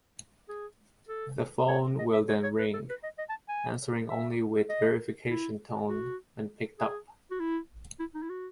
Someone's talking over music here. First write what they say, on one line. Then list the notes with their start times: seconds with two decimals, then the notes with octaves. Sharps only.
The phone will then ring, answering only with a verification tone when picked up.
0.49 G#4
1.09 A4
1.68 C#5
1.99 D#5
2.13 E5
2.29 C#5
2.43 C#5
2.58 B4
2.73 A4
2.89 B4
3.03 D#5
3.18 D#5
3.29 A5
3.48 G#5
4.09 E5
4.69 D#5
5.29 E4
5.89 F#4
6.79 G#4
7.31 F#4
7.40 E4
8.00 E4
8.15 D#4
8.22 E4
8.30 F#4